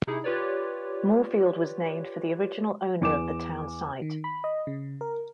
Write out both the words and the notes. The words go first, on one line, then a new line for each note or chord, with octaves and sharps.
Moorefield was named for the original owner of the town site.
C3 D#4 E4 G#4
F4 G4 B4 C#5 D5
E2 D6 E7
D#3
B5
D#5
C#3
A#4